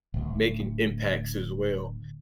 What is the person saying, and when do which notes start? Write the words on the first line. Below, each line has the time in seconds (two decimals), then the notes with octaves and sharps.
making impacts as well,
0.14 D1 D2